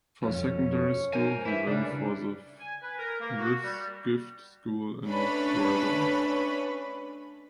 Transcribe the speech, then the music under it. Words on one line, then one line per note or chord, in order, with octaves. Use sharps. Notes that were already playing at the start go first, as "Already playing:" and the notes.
For secondary school he went to the Whitgift School in Croydon.
C2 F2 C#4
A#4 C5 G#5
E3 E4 E5
C#3 G3 D4
G#5
B4
A#4
A#3
F#4
G3
A3 C#4 D4 B4 B5